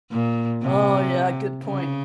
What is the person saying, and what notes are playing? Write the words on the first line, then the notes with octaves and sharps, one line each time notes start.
Oh, yeah. Good point.
A#2
C3
C#3